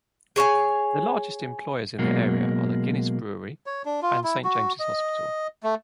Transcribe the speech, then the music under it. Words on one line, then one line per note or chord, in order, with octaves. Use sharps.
The largest employers in the area are the Guinness Brewery and Saint James's Hospital.
G#4 C#5 F#5 G#5
B2 F#3 G#3 A#3
C#5
D4
F4
E4
F#4
D#5
A3